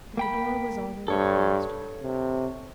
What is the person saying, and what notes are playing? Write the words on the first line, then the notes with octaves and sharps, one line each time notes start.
But the door was already closed.
A#3 G5 B5
G2 A4 C#5
C3